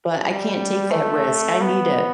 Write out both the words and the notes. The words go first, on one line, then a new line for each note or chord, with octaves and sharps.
but I can't take that risk, I need it.
G3
A3
B3